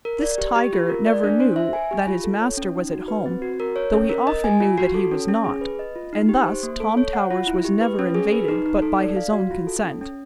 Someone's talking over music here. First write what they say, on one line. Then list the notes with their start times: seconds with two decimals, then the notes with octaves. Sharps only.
This tiger never knew that his master was at home, though he often knew that he was not, and thus Tom Towers was never invaded but by his own consent.
0.05 A#4
0.22 D5
0.38 G4
0.56 G4
0.73 F4
0.89 A#4
1.06 D5
1.23 D4
1.40 C5
1.56 E5
1.73 G#5
1.91 G4
2.07 F4
2.24 A4
2.41 C#5
2.57 C#4
2.75 D#4
2.91 F#4
3.08 B4
3.26 C4
3.42 F#4
3.60 A#4
3.76 C#5
3.94 C#4
4.09 A#4
4.27 D#5
4.44 G#5
4.60 F4
4.78 F#4
4.94 A4
5.11 C#4
5.28 C#4
5.44 G#4
5.61 B4
5.79 D#5
5.95 F4
6.13 D#4
6.29 G4
6.46 C5
6.63 A#3
6.80 A4
6.97 C#5
7.13 F#5
7.30 F4
7.47 E4
7.64 G4
7.81 B4
7.99 C#4
8.14 G#4
8.32 B4
8.48 D#4
8.66 D#4
8.82 A4
8.99 D5
9.16 F5
9.33 F#4
9.51 F4
9.67 A4
9.84 C#4
10.01 C#4